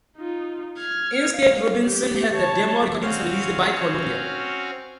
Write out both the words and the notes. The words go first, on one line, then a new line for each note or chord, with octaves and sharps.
Instead Rubinson had the demo recordings released by Columbia.
D#4 F4
F6 G#6
F5
G4
C#5 A5
C4 C#4 F#4 C5 C#5 F5